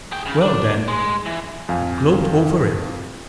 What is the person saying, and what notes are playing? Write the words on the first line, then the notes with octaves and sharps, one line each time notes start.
Well then, gloat over it!
G#4 G5
C#3
D4
G#3
E3
F2 F5 G#5